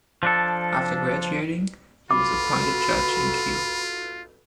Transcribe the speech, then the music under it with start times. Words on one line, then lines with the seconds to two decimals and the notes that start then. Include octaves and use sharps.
After graduating, he was appointed judge in Kiel.
0.23 F3 D4 A4
2.11 F4 F#4 A4 B4 B5 D6